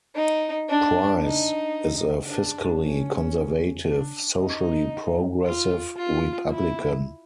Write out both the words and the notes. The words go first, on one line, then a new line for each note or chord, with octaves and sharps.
Pryce is a fiscally conservative, socially progressive Republican.
D#4
D4
D#4
D4
C#4
D4
D#4
F4
F4
E4